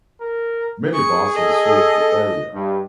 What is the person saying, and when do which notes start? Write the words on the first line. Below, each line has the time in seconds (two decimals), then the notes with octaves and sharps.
Many buses serve the area.
0.21 A#4
0.93 G#4 C#6
1.35 A4 D#5
2.52 G2